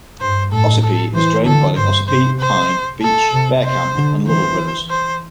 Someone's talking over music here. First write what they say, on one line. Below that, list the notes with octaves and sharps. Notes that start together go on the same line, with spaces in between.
Ossipee is drained by the Ossipee, Pine, Beech, Bearcamp and Lovell rivers.
G2 C5
A2 A4
A4
E3 C5
D3 A4
G2 C5
C3 C5
C5
A4
C3
C5
D3
E3 C5
C5